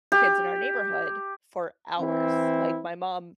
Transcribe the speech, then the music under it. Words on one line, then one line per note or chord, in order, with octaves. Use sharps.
kids in our neighborhood for hours, like, my mom
G4
E3 C4 E4